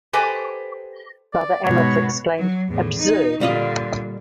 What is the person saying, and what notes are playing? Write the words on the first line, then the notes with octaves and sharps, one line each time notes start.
Father Amorth exclaimed, Absurd!
G4 A4 B4 C5 D#5 G#5
D5
G#2 B2 C#5
F#3
E2 A2
D#4
A#2 D3 G3 F4 D#5